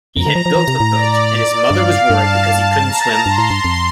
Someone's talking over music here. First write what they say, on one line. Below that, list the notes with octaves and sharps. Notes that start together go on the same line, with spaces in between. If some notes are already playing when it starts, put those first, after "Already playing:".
He had built a boat, and his mother was worried because he couldn't swim.
F2 A#5
D3
F3
F3
E3
C3
A2
D5
G2 F5
G2 A5
A#5
G2 C6
A2
G2
F2